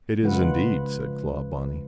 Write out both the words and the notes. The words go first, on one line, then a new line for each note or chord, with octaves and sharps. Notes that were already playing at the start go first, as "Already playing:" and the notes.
"It is, indeed!" said Clawbonny.
C#3 F3 G#3 F4 B4 F#5